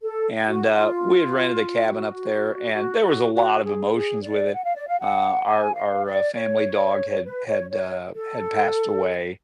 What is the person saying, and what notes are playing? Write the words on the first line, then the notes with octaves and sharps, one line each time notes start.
And, uh, we had rented a cabin up there, and there was a lot of emotions with it, uh, our our, uh, family dog had had, uh, had passed away,
A4
F#4
F4
F#4
F#4
F#4
F#4
G#4
G#4
D5
F#5
F5
D5
F5
F#5
G#5
F5
D5
C#5
B4
C#5
C#5
A4